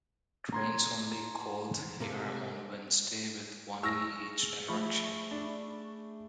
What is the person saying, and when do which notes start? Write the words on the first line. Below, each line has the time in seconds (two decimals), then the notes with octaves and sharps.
Trains only called here on Wednesday with one in each direction.
0.52 A#5 C6 G#6
2.01 C3 A#3 A4
3.83 G#4 C#6 E6 F6 A#6
4.68 F3 A3 E5 B5 C#6
5.31 D4